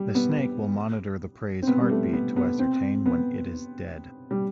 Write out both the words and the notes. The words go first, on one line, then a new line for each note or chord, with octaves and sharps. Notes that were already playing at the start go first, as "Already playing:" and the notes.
The snake will monitor the prey's heartbeat to ascertain when it is dead.
Already playing: G3
B3
C4
B3
G3
A3
B3
B3
C4
B3
G3